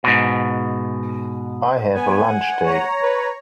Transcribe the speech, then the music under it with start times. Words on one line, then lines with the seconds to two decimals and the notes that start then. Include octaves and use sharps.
I have a lunch date.
0.04 G#2 B2
1.95 B3 G#5
2.27 F#5
2.64 C#5 A#5
3.02 B4